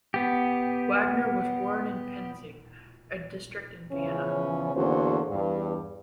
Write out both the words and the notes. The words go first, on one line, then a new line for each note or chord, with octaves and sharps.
Wagner was born in Penzing, a district in Vienna.
B3 G4
E2 C#3 E3 F3 C#4
E2 D3 A#3 F#4 C5
E2 G2